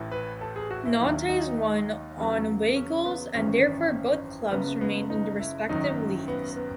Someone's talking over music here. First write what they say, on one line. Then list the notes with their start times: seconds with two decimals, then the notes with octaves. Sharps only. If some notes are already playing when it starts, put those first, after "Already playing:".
Nantes won on away goals and therefore both clubs remained in their respective leagues.
Already playing: A1 A2 E3
0.12 B4
0.41 A4
0.56 G#4
0.71 F#4
0.85 E4
1.00 D#2 D#3 F#3 E4
1.29 D#4
2.17 E2 C#3 F#3
2.76 C#4
3.05 B3
3.35 G#1 F#2 E3 C#4
4.52 F#1 F#2 C#3 B3
4.81 B3
5.10 D#4
5.40 E4
5.69 G#1 F#2 D#3 F#3 D#4
6.28 B3
6.57 B3